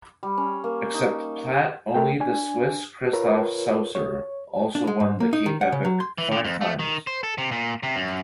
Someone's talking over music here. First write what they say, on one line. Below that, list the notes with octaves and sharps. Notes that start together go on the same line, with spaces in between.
Except Platt only the Swiss Christoph Sauser also won the Cape Epic five times.
G3
C#4
A#3
D#4
A3 A#4 G5
D4 G#5
F4 A#4 B4 C#5
C#5
D4
G#3
G#2
A#3
D#4
D#3
F#5
C#3
F#3
C6
E3
D3
F2
A3
D#3
C5
A4
C3
A#2
C3
F#2